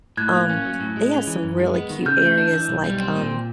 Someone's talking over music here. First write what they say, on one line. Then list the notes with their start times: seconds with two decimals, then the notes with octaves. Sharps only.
um, they have some really cute areas, like, um,
0.17 A2 F#6 G#6
0.34 A#3
0.50 C#4
0.65 F#3
0.80 A2
0.97 G#3
1.11 C#4
1.27 E3
1.43 F#2
1.59 G#3
1.75 B3
1.90 D#3
2.05 C#3 F6 G6
2.21 A3
2.37 D4
2.52 E3
2.69 B1
2.84 G3
3.00 C4
3.16 A#2